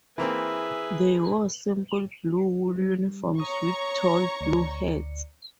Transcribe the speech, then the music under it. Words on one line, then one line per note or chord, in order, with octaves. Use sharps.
They wore simple blue wool uniforms with tall blue hats.
E3 A#3 C4 E4 G#4 B4 E5
G3
C#5 A#5 C#6 D#6
D2 D5 C#7